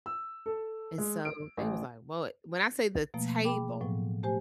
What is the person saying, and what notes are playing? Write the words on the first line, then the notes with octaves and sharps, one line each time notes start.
And so, they was, like, "Well, it" when I say the table
E6
A4
G#3
D7
A1
B2 F3 A3 A#3
G#4 G5 B5 D6
A2 F3 F#3 B3
A3 G4 C5 G#5